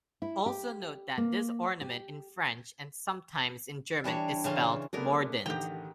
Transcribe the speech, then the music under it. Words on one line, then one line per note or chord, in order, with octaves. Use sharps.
Also note that this ornament in French, and sometimes in German, is spelled "mordant".
E4
G4
A#3
G4
E3 G3 D4 C#5
C#3 E3 C#4 F4
F#3 A3 B3 D4 G#4 A#4
A1 D3 D#3 G4 G5 A#5